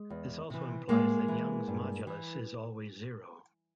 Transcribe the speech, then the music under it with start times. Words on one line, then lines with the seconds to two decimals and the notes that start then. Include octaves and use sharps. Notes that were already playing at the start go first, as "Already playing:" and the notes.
This also implies that Young's modulus is always zero.
Already playing: G#3
0.10 E2
0.50 C3 E3
0.89 A2 G#3 A#3
1.28 E3
1.68 G2
2.07 E3